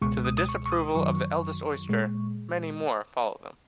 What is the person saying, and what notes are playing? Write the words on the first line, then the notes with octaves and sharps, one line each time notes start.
To the disapproval of the eldest oyster, many more follow them.
C#2 B2 G#3 C#6
D#6
D#6
C#6
C#6
D#6
F#2 D#3 F#3 C#6
A#2 G#3